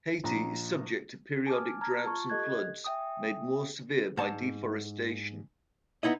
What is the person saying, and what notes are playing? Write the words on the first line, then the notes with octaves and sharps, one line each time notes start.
Haiti is subject to periodic droughts and floods, made more severe by deforestation.
A#1 A#5
G#5 A5 D6 F6
A5 A#5 F6 G#6
F4 A5 C#6
G4 A4 D#5 F#6 G#6
E5 G5 G#5 D#6
G#2 A5
B3 D#4 E4 D#5